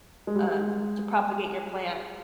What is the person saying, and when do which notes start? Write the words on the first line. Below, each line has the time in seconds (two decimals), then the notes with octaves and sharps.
um, to propagate your plant."
0.27 G#3
0.35 G3
0.43 G#3